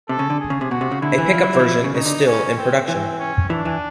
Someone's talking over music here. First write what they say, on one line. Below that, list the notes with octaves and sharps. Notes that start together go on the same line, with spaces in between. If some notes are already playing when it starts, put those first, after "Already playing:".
A pick-up version is still in production.
C3 A4
C#3
D3
G#4
C#3
C3
B2 F#4
C3
C#3
D3 E4
E3
F3
F#3
F#3
E3
F3
C#3
C#3 D#4
D3
C#4
C4
E3 C4
C#4
E3 D4
E3